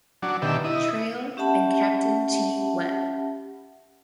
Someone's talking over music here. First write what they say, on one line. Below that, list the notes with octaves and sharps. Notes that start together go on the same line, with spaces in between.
Traill, and Captain T. Webb.
F#3 D4
B2 D3 D#3 G4 E5
E4 D#5
C#4 G4 E5 F#5 A5 B5